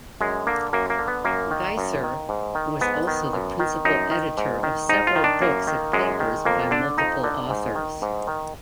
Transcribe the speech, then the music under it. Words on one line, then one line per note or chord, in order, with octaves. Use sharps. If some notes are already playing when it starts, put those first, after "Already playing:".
Geisser was also the principal editor of several books of papers by multiple authors.
F#2 G#3
D3 A#3
F#2 A#3
A#3
D3
B3
F#2 A#3
D#3
F#2
D#3
G#2
D#3
G#2 B3
D#3
F#2
D#3
F#2 D#4
D#3
G#2
D#3
G#2 D#4
F4
D#3
D4
F#2 A#3
D#3
F#2 G#3
D#3
F2 A#3
D3 D4
F2 D#4
D3
G#2
D#3
G#2
D#3